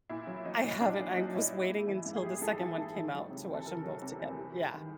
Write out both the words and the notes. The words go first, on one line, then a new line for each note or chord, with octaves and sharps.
I haven't. I was waiting until the second one came out to watch 'em both together Yeah.
A#2 E4
F#3
F#3 D#4
A#2
A#2 D4
F#3 C#4
F#3 D#4
A#2 E4
G3
G#2
E3
G#2
G#4
G3 G4
G#2 A4
G#4
E3
G#4
A4
G#2
D#3
F#3
C3
E2
A4
D#3 A#4
F#3
C3
E2
G3
G2
D#3